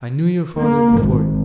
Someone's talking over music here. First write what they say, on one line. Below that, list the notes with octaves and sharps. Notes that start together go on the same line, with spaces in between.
I knew your father before you.
A#3
G#1